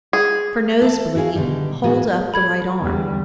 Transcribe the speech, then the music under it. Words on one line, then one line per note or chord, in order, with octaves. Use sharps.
For nose-bleed, hold up the right arm.
G#4
A4 E5
E4 F#4 G#4 F5
B2 D3 D#3 G3
A2 B3 F#4 G#4
A4 B5 G#6
E2 D3 G3